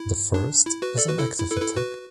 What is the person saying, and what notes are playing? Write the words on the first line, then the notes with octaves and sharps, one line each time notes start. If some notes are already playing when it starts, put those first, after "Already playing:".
The first is an active attack.
Already playing: E4
D4
E4
F#4 B4
A4 D5
F#4 B4
E4 A4
E4
E4 A4
B4
E4 A4
F#4 B4